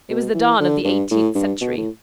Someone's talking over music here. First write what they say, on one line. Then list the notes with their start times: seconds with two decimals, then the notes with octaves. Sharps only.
It was the dawn of the eighteenth century.
0.10 B2
0.35 E3
0.60 D3
0.85 G2
1.11 A2
1.35 G2
1.61 B2
1.77 A2